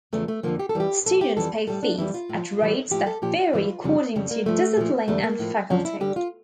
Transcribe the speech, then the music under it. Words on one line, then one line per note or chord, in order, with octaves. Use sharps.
Students pay fees, at rates that vary according to discipline and Faculty.
E2 C#3 F3 A3
A3
F2 D3 F3 A#3
G4
A4
F2 E3 G3 G4
A#2 F3 A4
G4
F2 E3 G3 A4
A2 G3 A4
D4
F2 E3 G3 E4
F4
A2 F3
A2 E3 G3
A2 F3 G4
A4
A#2 F3 G4
F4
G2 E3 G3
F2 C#3 G3
F2 C#3 G3
A#3
G2 F3 A3
A#2 F3
E2 D3 G3 A3
A#3
A2 F3
F2 D3 F3 C#4
E4
G2 D3 G3 G4
F4